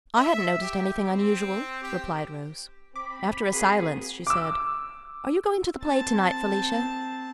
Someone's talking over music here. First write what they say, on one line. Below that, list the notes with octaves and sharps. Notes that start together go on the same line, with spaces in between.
I hadn't noticed anything unusual," replied Rose. After a silence she said: "Are you going to the play tonight, Felicia?
E5
G4
C4
G4
C4 B5 D6
A#3 C4 F#4 G#4
D6 E6
C4 A5